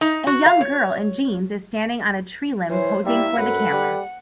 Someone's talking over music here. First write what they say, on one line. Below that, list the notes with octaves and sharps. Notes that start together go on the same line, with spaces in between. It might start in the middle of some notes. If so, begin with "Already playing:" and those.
A young girl in jeans is standing on a tree limb posing for the camera.
D#4
F#4
F5
C#5
E3 C5 C#5
G3 A#3 E4 E5
F#2 A4 B4 F#5
G3